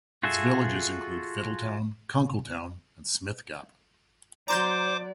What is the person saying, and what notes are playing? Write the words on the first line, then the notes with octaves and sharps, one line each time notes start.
Its villages include Fiddletown, Kunkletown, and Smith Gap.
F4 F#4 G#4 A4 E5
F#3 C5 D5 A#5 C6 D6 G6